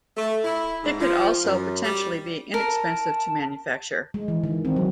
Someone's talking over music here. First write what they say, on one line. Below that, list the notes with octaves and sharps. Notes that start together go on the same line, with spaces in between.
It could also potentially be inexpensive to manufacture.
A3
E4
G#2
F3
F#2
G3
A#4 A5
G#3
E3
D#3
C4
F#3